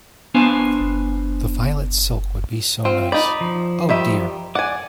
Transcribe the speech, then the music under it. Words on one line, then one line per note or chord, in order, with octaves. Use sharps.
The violet silk would be so nice; oh, dear!
B3 D4 C5 F5 G#5
C4 F4
D#4 D5 B5
F3
D#3 G3 E5
D5 F#5 G#5 D6